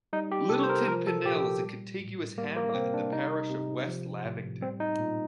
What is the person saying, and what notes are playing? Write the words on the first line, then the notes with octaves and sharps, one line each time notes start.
Littleton Panell is a contiguous hamlet in the parish of West Lavington.
G3 D#4
G4
C3 A4
C5
A#4
F3 A#4
A4
A#2 G4
G3
A2
G3 A#3
A#3
A#3
C3 C4
D4
C3 D#4
C3
F3
A2
G3 C4
D#4
A#2